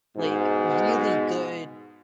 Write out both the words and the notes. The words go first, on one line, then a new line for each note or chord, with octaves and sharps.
like, really good,
G#2 B2